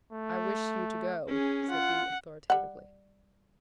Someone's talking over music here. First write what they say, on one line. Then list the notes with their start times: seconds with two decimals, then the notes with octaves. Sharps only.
I wish you to go,' said he, authoritatively.
0.13 A3
1.28 C#4 G#4
1.70 F4 F#5
2.50 G3 F#5